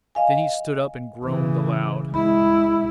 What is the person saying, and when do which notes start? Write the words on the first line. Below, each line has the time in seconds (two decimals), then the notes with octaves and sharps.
Then he stood up and groaned aloud.
0.15 D#5 F5 G#5
1.25 C#3 E3
2.14 G#3 E4 B5